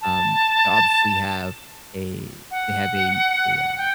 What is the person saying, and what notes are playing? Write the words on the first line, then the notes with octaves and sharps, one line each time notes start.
um, they obviously have a they have a a uh,
A5
F#5
G5